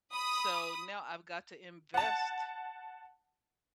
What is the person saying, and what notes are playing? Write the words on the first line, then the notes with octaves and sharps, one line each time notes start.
so, now I've got to invest
B5 D#6
F#5 A5